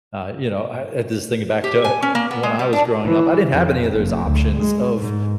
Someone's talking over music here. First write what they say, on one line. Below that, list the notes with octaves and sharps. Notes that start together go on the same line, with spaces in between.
uh, you know, I this thing back to when I was growing up, I didn't have any of those options of,
G4
G#5
C#4
A#3
B3
G#3
G3
D4
E3
F2
F#1
D2
G#3
G#2